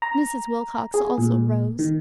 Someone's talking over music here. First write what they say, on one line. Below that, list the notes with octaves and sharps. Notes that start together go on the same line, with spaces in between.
Mrs. Wilcox also rose.
A#5
G#4
A#2
D#3